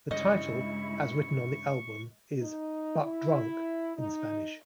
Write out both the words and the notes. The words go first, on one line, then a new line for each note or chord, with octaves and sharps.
The title, as written on the album, is "but drunk" in Spanish.
G2 C#3 G#3 E4 D#5 C#6
D#4
E4
D#4